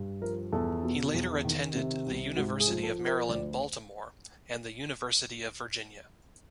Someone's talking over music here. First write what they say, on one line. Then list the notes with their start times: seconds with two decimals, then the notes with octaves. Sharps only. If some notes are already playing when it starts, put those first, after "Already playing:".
He later attended the University of Maryland, Baltimore, and the University of Virginia.
Already playing: G2
0.21 F3 A#4
0.53 E2 A4
0.83 B2
1.14 E2
1.45 D#3
1.75 C3
2.06 C2
2.37 G#2 F#4
2.60 G#4
2.68 F3
2.83 A4
2.99 F3
3.06 A#4
3.29 D2 D5